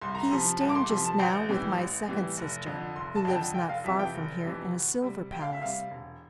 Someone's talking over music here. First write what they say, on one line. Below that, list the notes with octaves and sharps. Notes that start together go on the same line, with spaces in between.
He is staying just now with my second sister, who lives not far from here in a silver palace.
C2 C6
A#5
C3 F3 C6
C2 A5
D6
C6
C3 F3 C6
A5
A1 G5
A2 E3 G3
A1
A2 E3 G3
F1
F2 D3
F1 C6
A5
F2 D3 G5
A5
F1 G5
F5
F2 C3 E3 E5
G5
F1
F2 C3 E3
D2
C3 G3
D2 G5
F5
E5
C3 G3 F5
E1